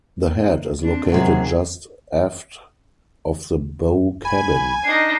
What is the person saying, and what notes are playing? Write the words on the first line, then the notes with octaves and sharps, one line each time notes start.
The head is located just aft of the bow cabin.
A#3
C4 D4
C3 D#3 F#3 G#4
G#5 B5
D4 D#4 C7